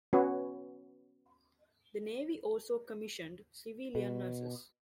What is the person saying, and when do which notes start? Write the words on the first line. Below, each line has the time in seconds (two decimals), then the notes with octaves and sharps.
The Navy also commissioned civilian nurses.
0.13 B3 C#4 F#4 B4 C#5
3.95 B2